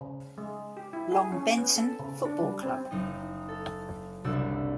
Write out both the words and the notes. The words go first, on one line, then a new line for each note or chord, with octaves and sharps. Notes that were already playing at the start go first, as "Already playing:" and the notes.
Longbenton Football Club.
C#3
G#3
G4
E4
G#4
C#4
B3
A4
C#3
D4
G3
C4
F#1 D#4 D#5
A4
F#1 C2 C3 D4 F#4 E6